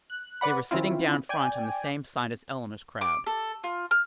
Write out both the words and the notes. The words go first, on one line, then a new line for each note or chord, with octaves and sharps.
They were sitting down front on the same side as Eleanor's crowd.
F#6
B4 D5 F#5 B5
D#3 C4 C#4 E4 F4
D5 G5 G#5
D6
A4
F4
F6